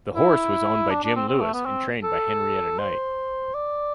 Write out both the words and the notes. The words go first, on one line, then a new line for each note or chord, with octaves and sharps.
The horse was owned by Jim Lewis and trained by Henrietta Knight.
E4
D4
D4
C4
C4
A3
B3
C4
A4
C5
D5